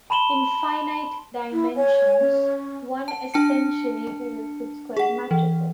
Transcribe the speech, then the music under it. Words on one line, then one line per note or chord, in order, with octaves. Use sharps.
In finite-dimensions, one essentially deals with square matrices.
A5 B5 C6 E7 F#7 G7
E4
C#5 G#5
C#4
A5
D4 A5 C#7
G#4 F#5
E3